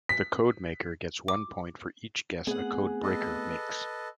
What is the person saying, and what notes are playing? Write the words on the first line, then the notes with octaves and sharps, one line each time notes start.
The codemaker gets one point for each guess a codebreaker makes.
B6
D6
A3 B3 C4 G#4 F#5
A4 B4 D#5